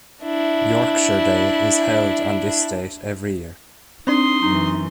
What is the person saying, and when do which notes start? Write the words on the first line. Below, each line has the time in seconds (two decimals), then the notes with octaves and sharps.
Yorkshire Day is held on this date each year.
0.23 D4 E4
4.07 C4 D4 D#4 C6 D#6
4.42 F#2 E3 D#4